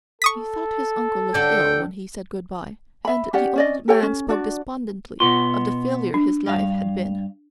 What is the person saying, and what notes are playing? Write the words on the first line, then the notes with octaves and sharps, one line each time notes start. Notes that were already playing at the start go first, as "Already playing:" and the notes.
He thought his uncle looked ill when he said good-by, and the old man spoke despondently of the failure his life had been.
A4 C#6 D#6 B6
D3 D4 G5
E5 B5
C#4 G4 D5 F#5
C#4 D5 D#5
G4 A4 C#5 G5
C#4
D4 F#4 D5
B2 B3 F4 C6
D4
G2 F5